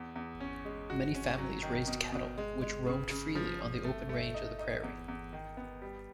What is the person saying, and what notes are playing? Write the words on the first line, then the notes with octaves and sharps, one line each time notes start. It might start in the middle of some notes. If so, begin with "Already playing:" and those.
Many families raised cattle, which roamed freely on the open range of the prairie.
Already playing: E2
E2
C#4
G#3
F#4
C#4
F#3
D#3
B2
B2
G#3
G#3
C#3
C#3
F3
F3
A3
A3
D#4
D#4
E2
E2
D#3
B3
G3